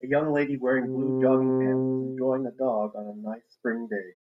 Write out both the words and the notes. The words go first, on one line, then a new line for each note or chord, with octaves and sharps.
A young lady wearing blue jogging pants is enjoying a jog on a nice spring day.
C3